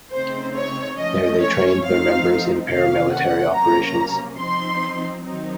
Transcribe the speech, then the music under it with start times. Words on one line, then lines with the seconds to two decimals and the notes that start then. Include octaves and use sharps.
There they trained their members in paramilitary operations.
0.12 C#3 A3 C4 D#4 C5
0.55 C#5
0.98 F3 A3 C#4 D#5
1.40 C#5
1.83 F3 A3 C4 D#4 F5
2.68 C3 D#3 A#3 C#4 F5
3.10 F#5
3.53 C3 F#3 A#3 C#4 A#5
4.38 F3 C4 D#4 C6
5.24 D#3 F#3 C4 D#4